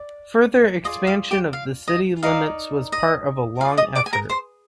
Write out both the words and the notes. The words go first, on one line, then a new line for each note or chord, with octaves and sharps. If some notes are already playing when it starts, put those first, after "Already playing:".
Further expansion of the city limits was part of a long effort.
Already playing: D5
F4 G#4 D5 D#5
F5
G4 G5
F5
D#5
D#4 A#4 D5 F5
D#5
F4 G#4 D5 F5
D#5 D#6
D5 D6
G#5
A#4 A#5
C5 C6